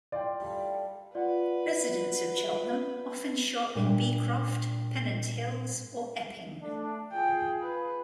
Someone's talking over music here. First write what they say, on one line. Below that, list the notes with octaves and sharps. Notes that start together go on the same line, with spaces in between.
Residents of Cheltenham often shop in Beecroft, Pennant Hills or Epping.
F4 D5 G5
G3 E4 A4
F4 B4 D5 F#5
A#2 G3 D4 E5
A3 D4
F4 G#4 G5
B4